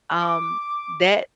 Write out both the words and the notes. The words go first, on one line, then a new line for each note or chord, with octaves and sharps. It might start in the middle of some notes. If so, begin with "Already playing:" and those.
um, that
D6